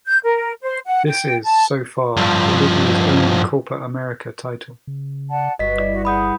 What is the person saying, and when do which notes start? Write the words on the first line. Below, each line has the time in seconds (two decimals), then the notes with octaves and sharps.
This is, so far, Bolivia's only Copa America title.
0.06 G6
0.25 A#4
0.61 C5
0.86 F#5
1.07 G5
1.44 A5
2.17 G2 F3
4.87 C#3
5.30 D5 F#5 A5
5.59 G1 G2 F#4 D#5 B6
5.79 E4 D5
5.92 F#4 D#5
6.05 G#4 F#5 B5 D#6 G6